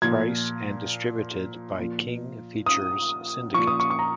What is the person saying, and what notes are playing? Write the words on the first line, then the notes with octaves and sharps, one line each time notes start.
Price and distributed by King Features Syndicate.
A#2 F3 G#6
A#2 F3
D#6
A#2 F3 C#6
D#6
C#6
C#6
A#5